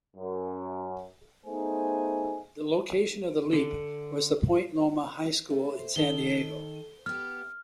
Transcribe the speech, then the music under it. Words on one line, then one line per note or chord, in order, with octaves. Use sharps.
The location of the "leap" was the Point Loma High School in San Diego.
F#2
A3 B3 D#4 G#4 C5 G#5
D3
A3
C5
D#3 A4 G7
B3 G4 F6